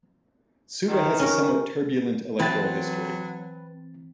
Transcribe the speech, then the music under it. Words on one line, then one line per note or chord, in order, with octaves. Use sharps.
Suva has had a somewhat turbulent electoral history.
D#3
C#4 A#4
E3 F#3 C4 B4 A5 A6